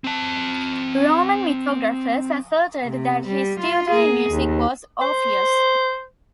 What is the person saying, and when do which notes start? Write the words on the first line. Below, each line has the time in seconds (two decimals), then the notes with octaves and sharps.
Roman mythographers asserted that his tutor in music was Orpheus.
0.04 C4 A5
2.82 C3
3.27 G3
3.60 F4
3.91 A#3 G#4
4.30 D#2
5.01 C5